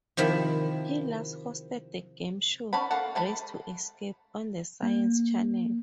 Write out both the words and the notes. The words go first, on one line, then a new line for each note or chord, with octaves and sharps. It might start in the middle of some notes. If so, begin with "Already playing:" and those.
He last hosted the game show "Race to Escape" on the Science Channel.
C3 D#3 F3 E4 E5
C#4 D4 F#4 A5 B5
A#3 A4 F#5 A5
G#3 A5 B5
A#3